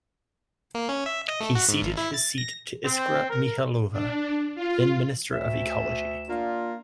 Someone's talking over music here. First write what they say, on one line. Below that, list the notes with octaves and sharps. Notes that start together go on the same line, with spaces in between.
He ceded his seat to Iskra Mihailova, then-minister of ecology.
A#3
C#4
E5
D#5
A3
F#4
G#2
G#1
E4
A6
A#6
C4
A#4
D4
F4
D2 E5
A#3 D4 F4